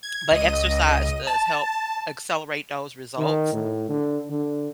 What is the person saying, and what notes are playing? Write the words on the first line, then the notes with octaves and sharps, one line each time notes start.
but exercise does help accelerate those results,
G#6
C#2 D#5 D#7
A5
D#3
A2
D3
D3